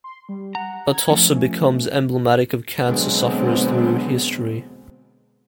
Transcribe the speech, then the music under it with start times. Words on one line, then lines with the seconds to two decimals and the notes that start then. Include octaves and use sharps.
Atossa becomes emblematic of cancer sufferers through history.
0.04 C6
0.29 G3
0.55 F#5 A#5
0.89 G#6
1.10 F3 A3 C#4
2.85 B2 D3 F#3 G#3 B3 C4